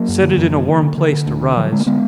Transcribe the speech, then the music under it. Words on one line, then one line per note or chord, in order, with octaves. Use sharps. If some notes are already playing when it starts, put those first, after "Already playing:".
Set it in a warm place to rise.
Already playing: F#3 A#3
F#2
D3
F#2
D3
D3
D3
D3
D3
D2
D3
D3 F3
F#3
D3 G#3
A#3
D3 G#3 B3